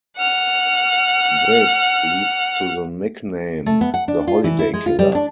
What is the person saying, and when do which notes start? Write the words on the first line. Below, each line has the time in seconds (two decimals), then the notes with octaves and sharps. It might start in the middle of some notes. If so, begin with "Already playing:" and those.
This leads to the nickname "The Holiday Killer".
0.17 F#5 F6
3.66 A3
3.81 B3
3.94 F#5
4.08 D4
4.27 F4
4.44 E3
4.59 E4
4.73 G#3
4.86 F4
4.99 G3
5.15 D4